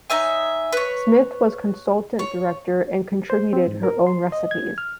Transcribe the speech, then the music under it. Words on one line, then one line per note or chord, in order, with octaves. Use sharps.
Smith was Consultant director and contributed her own recipes.
D#4 C#5 E5 G#5
B4 C#5
C#5
C5
C4
G#2
A#4
C6
D#5
G#6
F6